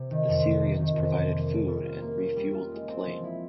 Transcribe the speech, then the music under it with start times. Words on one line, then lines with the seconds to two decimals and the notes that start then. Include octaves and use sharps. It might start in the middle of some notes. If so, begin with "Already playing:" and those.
The Syrians provided food and refueled the plane.
Already playing: C3
0.11 D#3
0.29 F2
0.45 F2
0.62 C3
0.80 D#3
0.97 F2
1.16 F2
1.32 A#3
1.50 C#4
1.67 G3
1.85 F4
2.02 A#3
2.19 C#4
2.36 G3
2.54 F4
2.72 G#3
2.88 C4
3.06 F3
3.24 E4